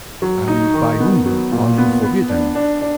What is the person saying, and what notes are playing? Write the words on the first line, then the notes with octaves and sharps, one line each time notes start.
"And by whom are you forbidden?"
F#3
D#4
D#3
B3
F#3
A#2
B3
B3
D4
D4
D4